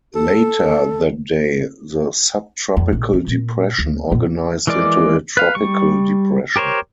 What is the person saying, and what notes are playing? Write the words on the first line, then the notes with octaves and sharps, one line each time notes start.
Later that day, the subtropical depression organized into a tropical depression.
A4
F2
A#1 C3
E3
A#2
D2
F2 A#2
E3 G#3 A#4 D5 D6
B4 F5
G3 C#6
G4 A#4 C5 C#5